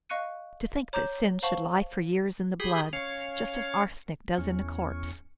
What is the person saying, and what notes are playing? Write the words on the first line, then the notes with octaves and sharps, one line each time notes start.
To think that sin should lie for years in the blood, just as arsenic does in a corpse!
D#5 F5 C#6 F#6 C#7 D#7
C#5 A#5 D6 G6 E7
C5 F5 F#5 A5 C#6 F#7
G4 G#4 B5 D#6
C#4 C#5 F5
E2 C#4